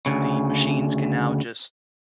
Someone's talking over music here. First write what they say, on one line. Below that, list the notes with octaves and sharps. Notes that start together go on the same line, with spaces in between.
the machines can now just
D2 C#3